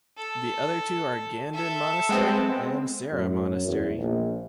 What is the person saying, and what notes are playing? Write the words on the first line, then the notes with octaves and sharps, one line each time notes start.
The other two are Ganden Monastery and Sera Monastery.
A4
A4 E5
G#3 B3 C4
F#2
E2
A#1